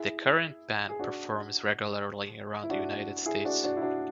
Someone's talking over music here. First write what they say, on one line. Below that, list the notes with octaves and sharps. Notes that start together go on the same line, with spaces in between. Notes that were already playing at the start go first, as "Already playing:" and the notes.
The current band performs regularly around the United States.
Already playing: E4 G#4
G#4
D4 F#4
E4
D4 F#4
E4 G#4
D4 F#4
D4 F#4
E4
D4 F#4